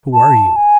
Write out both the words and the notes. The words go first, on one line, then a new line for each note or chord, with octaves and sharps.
"Who are you?"
A5
G#5